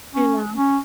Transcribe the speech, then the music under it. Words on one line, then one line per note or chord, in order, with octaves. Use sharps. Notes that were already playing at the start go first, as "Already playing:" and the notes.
You know.
C#4
C#4